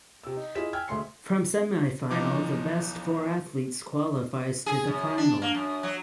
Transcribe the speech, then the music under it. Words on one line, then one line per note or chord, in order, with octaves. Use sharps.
From semifinal the best four athletes qualifies to the final.
C3 E6
D#4
E4 F4 G#4 D#5 B6 E7
G5 G#5 E6 F6 G#6
D2 G#3 A3 C6 C7 C#7
B1 E3 F3 D#4 D6
G#4
F#2
D4
A#3
F#2
F#3